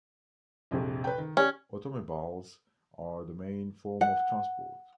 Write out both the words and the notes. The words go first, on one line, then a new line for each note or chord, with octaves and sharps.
Automobiles are the main form of transport.
A#1 F2 C3
B4 G5
D#3
C#4 G4 C#5 D5
F#5